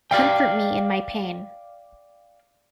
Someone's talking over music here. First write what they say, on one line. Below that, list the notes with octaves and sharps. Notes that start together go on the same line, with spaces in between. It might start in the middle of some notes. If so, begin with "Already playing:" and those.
Comfort me in my pain.
D5 F5 G5